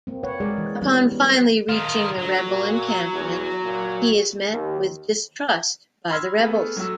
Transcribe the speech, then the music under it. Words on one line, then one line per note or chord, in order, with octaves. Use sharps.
Upon finally reaching the rebel encampment he is met with distrust by the rebels.
A#3 C4
B4 C#5 F#5
G#3 G#4 A#4 D5
E3
E3 G3 B3 C#4
B3
D#3 F4
D2 F#3
A#2
E2
A#2
D#2
B5 C6 E6 F6 G#6
A3 B3 G#4 A4 B4
F#3 A3 F#4 E6